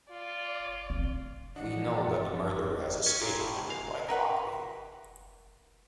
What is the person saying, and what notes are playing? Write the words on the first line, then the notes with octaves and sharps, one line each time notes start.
"We know that the murderer has escaped," he replied hotly.
F4 D5
C4
E3 F3 G#3 D4 D#5 F#5
F4 A6
A#1
C#4
A#2
A2
G#2
F5
A#4 B4 F#5 B5